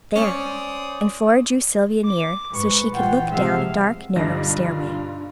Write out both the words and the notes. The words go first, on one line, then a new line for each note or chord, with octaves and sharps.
"There," and Flora drew Sylvia near so she could look down a dark narrow stairway.
C#4 C5 D5 D#6
D6
G#2 G#3 B4 C#6
A#1 E3 F4 F#5 G5
C3 F3 G#3 E5 F5
B1 G2 D3 D4 F4 D#5 A#6